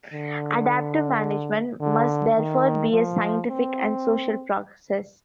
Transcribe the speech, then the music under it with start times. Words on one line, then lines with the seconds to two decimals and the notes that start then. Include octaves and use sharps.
Adaptive management must therefore be a scientific and social process.
0.13 D3
1.80 D3
2.36 D#3
2.92 F3
3.48 C4